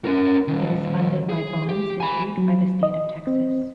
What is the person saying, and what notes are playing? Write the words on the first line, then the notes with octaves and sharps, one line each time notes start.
It is funded by bonds issued by the state of Texas.
C#4 A#4
D#3 G3
G#4
G4
G#5 B5
F#3
D#5
C4